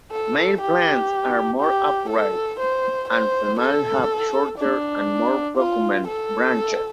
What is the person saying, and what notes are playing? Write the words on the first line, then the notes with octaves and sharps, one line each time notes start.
Male plants are more upright and female have shorter and more procumbent branches.
A4
G4
G4
A4
C5
C5
A4
D4
F4
A4